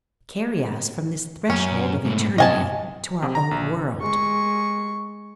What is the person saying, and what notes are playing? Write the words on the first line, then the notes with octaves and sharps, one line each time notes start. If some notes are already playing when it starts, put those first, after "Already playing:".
"Carry us from this threshold of eternity to our own world."
F#2 C#4
G#2 A3
F#2 C3 D#5 G#5 A5
C3
A#5
A#1
G#3 C#6